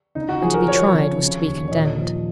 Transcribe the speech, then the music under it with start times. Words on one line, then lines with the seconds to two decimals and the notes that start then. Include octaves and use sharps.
And to be tried was to be condemned.
0.15 C#3 D#4
0.29 F#4
0.42 F3 G#4
0.54 A#4
0.68 F3 C#5
0.93 C#3
1.20 C#3
1.46 D#2
1.68 C#5
1.71 A#2 D#5
1.98 F3